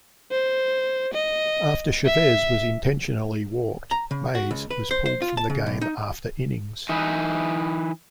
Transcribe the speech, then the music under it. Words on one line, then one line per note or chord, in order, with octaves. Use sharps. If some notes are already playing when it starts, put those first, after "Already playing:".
After Chavez was intentionally walked, Mays was pulled from the game after innings.
C5
D#5
E5
A#5
C#3
F#4
C#2
B4
C5
C5
F4
A5
C#3
B1
D#4
E3 D#4 E4